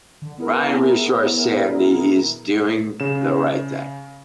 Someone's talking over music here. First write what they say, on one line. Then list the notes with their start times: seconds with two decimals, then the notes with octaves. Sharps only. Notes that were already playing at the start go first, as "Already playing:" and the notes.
Ryan reassures Sandy he is doing the right thing.
0.22 D3
0.38 B3 E4 G#4 A#4
3.00 C#3 E7